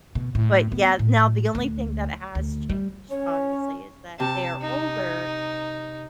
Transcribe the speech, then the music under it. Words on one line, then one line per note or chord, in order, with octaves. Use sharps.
But yeah, now the only thing that has changed, obviously, is that they're older.
B2
A2
B3
A2
D2
D2
G3
C#4 C#5
C3 A5
D#4